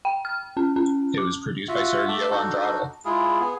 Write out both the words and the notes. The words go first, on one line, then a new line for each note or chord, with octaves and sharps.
It was produced by Sergio Andrade.
G5
F6
C#4
C#4
D6
F4 F#4 E5 F#5
A3 E5 A5 D6
D4 D#4 F#4 A4
G#3 E4 F4 G#4
B3 G#4